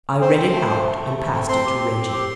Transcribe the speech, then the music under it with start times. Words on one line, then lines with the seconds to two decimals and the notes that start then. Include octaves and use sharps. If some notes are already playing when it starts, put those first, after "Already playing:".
I read it out and passed it to Reggie.
0.22 C4 C5
0.38 C4
0.53 A3
0.69 A3
0.86 A3
1.01 A3
1.17 A3
1.33 C4
1.48 C4 C6
1.65 G4
1.80 C4
1.97 C4
2.12 G4